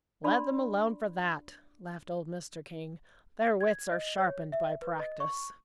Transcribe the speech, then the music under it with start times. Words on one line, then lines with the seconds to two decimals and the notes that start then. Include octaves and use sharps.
"Let them alone for that," laughed old Mr. King; "their wits are sharpened by practice."
0.24 D4 D5 A5 B5 C6
3.61 G#6
3.91 D#5
4.18 C#5
4.52 E5
4.82 B4
5.00 D#5
5.20 C#6